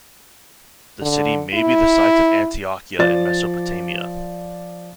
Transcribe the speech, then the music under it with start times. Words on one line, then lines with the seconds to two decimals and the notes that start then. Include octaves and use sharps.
The city may be the site of Antiochia in Mesopotamia.
1.02 D3
1.54 E4
2.99 F3 D5 A6